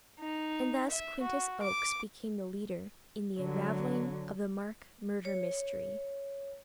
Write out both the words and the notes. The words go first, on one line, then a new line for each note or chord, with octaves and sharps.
And thus Quintus Oakes became the leader in the unravelling of the Mark murder mystery.
D#4
E5
F#4
D6
D3 F#3
C#5